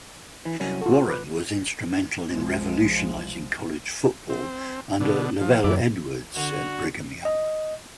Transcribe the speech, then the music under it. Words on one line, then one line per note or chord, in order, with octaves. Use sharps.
Warren was instrumental in revolutionizing college football under LaVell Edwards at Brigham Young.
E3
C2 F#3 C#4
F4 F#4 A4
B4 D6
B1 F3 G#3
C4
B2 D3
F3
F#2 E3 D5
D3 F#4
D#5